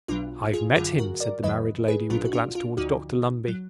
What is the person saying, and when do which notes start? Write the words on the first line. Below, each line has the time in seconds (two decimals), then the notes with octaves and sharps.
'I've met him,' said the married lady, with a glance towards Dr Lumbey.
0.08 B1 B2 F#3 D4 F4
0.54 F4 G#4
0.76 G#1 F#2 D3 F#3 F4 G#4
0.98 F#4 A#4
1.20 A#4 D5
1.43 F2 D#3 F#3 B4 D#5
1.88 G#4 B4
2.10 A#1 A#2 F#3 D4 F4
2.25 F#4
2.33 D4 F4
2.55 D4 F4
2.77 D2 D3 F3 D#4 F#4
3.48 F#3